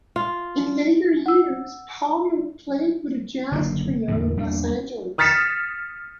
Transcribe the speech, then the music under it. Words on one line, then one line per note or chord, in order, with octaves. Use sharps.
In later years, Palmer played with a jazz trio in Los Angeles.
F4
F#5 E6
F#1 D3 A#3
E2 A2 D3
E2 G3 A#3 D4
D#6 F6 A6 B6 C#7 E7